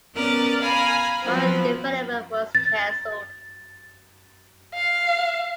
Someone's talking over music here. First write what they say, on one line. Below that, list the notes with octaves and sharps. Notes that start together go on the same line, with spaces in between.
Further development was canceled.
B3 C#4 A#4 D5 F#6 A6
F5 G#5 A#5 B5
F3 F#3 B3 C4 B4
A6
F5